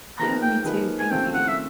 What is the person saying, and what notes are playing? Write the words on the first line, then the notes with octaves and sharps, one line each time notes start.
Oh, me too, thank you.
F3 A#3 D#4 G#4 B4 A#5
G5
F3 A#3 D#4 G#4 B4
G#5
D#2 C#3 F3 A3 C4 G5
F#5
E5